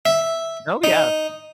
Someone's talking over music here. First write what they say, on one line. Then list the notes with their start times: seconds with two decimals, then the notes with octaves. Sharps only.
Oh, yeah.
0.05 E5
0.84 D#4